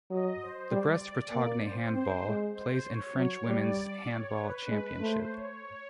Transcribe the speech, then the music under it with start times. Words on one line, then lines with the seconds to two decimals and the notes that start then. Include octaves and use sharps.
The Brest Bretagne Handball plays in French Women's Handball Championship.
0.10 F#3 D#5
0.42 C5
0.71 G3 D5
1.32 A#3
1.63 C5
1.94 C4 C5
2.25 G#3
2.55 C5
2.86 C#5
3.16 F#3 C#5
3.47 G3 D5
4.08 C#5
4.38 B4
4.69 G#3
4.99 A3 C5
5.30 C#5